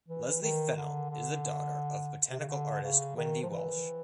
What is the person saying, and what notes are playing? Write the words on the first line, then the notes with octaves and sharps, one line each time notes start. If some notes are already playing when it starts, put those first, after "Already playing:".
Lesley Fennell is the daughter of botanical artist Wendy Walsh.
E3
D#3
D3
D3
C3
C#3
D3
C#3
D#3
F3
E3